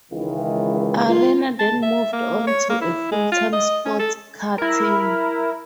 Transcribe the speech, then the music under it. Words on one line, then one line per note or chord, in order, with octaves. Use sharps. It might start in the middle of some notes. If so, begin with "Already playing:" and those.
Arena then moved on to a full-time sports car team.
C#2 D#3 E3
F4
A5
E5
A#3
C#5
A#3
E4
G#3
F4
D#5
C#4
A4
E4 A#4